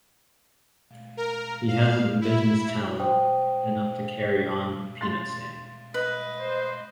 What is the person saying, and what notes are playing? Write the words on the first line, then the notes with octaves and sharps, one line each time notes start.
He hasn't business talent enough to carry on a peanut stand.
A#4
F5
E4
C5 G5 D#6
C6 A6
B4 D#5
C5